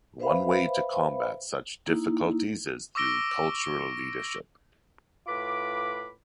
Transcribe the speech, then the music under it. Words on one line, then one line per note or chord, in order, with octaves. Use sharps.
One way to combat such difficulties is through cultural leadership.
B4 C5 E5 F5 B5
A#3 D#4 E4
C#6 D6 E6 A#6 D7 G7
A2 F4 B4 B5 D6